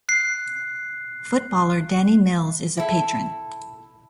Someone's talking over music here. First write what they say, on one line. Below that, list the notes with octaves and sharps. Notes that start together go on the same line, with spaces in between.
Footballer Danny Mills is a patron.
F#6 C7
E4 A4